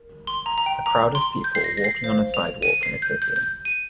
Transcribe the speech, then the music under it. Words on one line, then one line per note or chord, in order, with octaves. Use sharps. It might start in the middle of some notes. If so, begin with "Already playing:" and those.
A crowd of people walking on a sidewalk in a city.
Already playing: A#4
C6
A#5
A#5
G5
A#5
C6
G6
C7
A#6
A#6
C7
C5 F5
F7
D#7
C7
G6
G6
G6
D#7